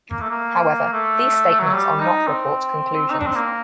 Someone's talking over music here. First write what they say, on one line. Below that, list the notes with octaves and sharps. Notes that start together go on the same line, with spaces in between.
However, these statements are not report conclusions.
A#3
A3
A#3
A3
F#3
G3
D#4
C4
D#4
D4
C4
A#3